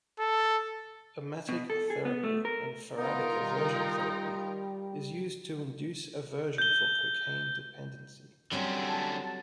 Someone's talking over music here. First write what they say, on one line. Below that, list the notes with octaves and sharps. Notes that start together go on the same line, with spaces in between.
Emetic therapy and faradic aversion therapy is used to induce aversion for cocaine dependency.
A4
B2
A4
G#4
B3
A3
A#4
D#3 B3 D#4 F4 A#4
G3
G6 G7
D3 F#3 G3 C4 C#4
A5